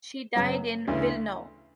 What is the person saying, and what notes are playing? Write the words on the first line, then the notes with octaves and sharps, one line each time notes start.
She died in Wilno.
F#2 C#3 F#3 B3
D2 C#3 E3 A3 D4